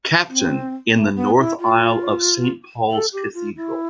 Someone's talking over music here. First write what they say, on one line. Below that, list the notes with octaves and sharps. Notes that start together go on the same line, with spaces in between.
"Captain", in the north aisle of Saint Paul's Cathedral.
C4
A3
B3
E4
F4
A4
G4
F4
E4